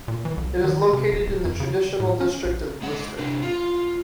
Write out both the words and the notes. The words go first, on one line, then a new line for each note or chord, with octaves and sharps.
It is located in the traditional district of Lister.
A#2
E3
C2
D#3
C3
E1
D1
F2
C#3
A2
C#4
A#1
G#3 F#5
C3 D4
F4